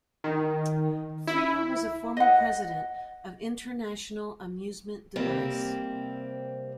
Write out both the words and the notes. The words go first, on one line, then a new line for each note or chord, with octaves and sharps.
Feerer was a former president of International Amusement Device.
D#3
E4
D#5 F#5
C3 G3 A#3 C4